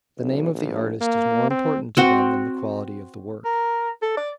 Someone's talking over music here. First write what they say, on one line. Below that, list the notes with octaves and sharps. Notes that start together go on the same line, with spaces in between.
The name of the artist is more important to them than the quality of the work.
B1
A#1
A#3
C4
C4 F#4
A#4
A4
D5